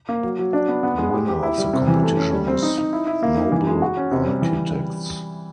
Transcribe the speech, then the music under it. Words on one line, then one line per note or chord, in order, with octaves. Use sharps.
The winner of the competition was Nobel Architects.
A#3
F#3
F#3
D4
B3
B3
G#3
G4
G4
E4
G3
C3
E3
A3
C#4
G3
C4
D#4
D#4
E4
E4
A#3
D#4
E3
G#3
F#4
C#4
C3
G3
E3